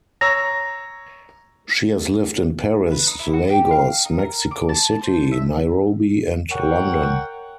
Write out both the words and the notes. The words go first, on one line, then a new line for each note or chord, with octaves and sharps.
She has lived in Paris, Lagos, Mexico City, Nairobi and London.
C#5 A#5 E6 A#6
B4
D#4
E4
F#4
G4
F5
D#4
A#4
D6
A5
C5
E5
A#4 C#5 F#5 G5